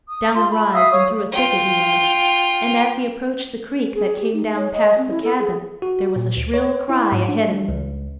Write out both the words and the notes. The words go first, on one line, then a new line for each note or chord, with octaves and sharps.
Down the rise and through a thicket he went, and as he approached the creek that came down past the cabin there was a shrill cry ahead of him.
D#6
F4 C6
B5
E5 F5 D#6 E6
C#5 F5 C#6 D#6
F4 G5
G#4
G4
D#4
C#5
D#5
C4
E4
A4
G#4
F#4
A#2
D2
C#5
E4
G#2
D4
G3
C#2